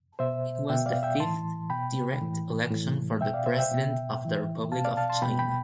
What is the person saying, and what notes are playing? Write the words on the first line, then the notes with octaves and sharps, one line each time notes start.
It was the fifth direct election for the President of the Republic of China.
B2 C5 E5
B2 E5 G5
D5 F5
E5 G5
A2 E3 A5 C6
B2 G5 B5
A2 E3
A2 E3
B2 E5 G5
D5 F5
C5 E5
E5 G5
B2
A2 E3
B2 F5 A5
D5 F5
F5 A5
A5 C6
B2 G5 B5
G5 B5